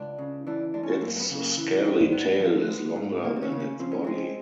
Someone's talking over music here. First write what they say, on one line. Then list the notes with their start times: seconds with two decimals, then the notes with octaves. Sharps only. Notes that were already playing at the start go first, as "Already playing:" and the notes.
Its scaly tail is longer than its body.
Already playing: C#2 D4
0.18 C#3
0.47 E3 D4
0.74 G#3 D4
0.83 C#4
1.02 F#2 A#3
1.17 A#3
1.20 B3
1.30 C#3
1.38 A#3
1.57 E3
1.85 G3 C4
2.12 G#2 B3
2.40 F3
2.68 G#3
2.96 G#2
3.23 C#2 A#3
3.36 C4
3.42 C#4
3.52 C#3
3.60 C#4
3.79 F3 C4
3.92 C#4
4.04 G#3 C4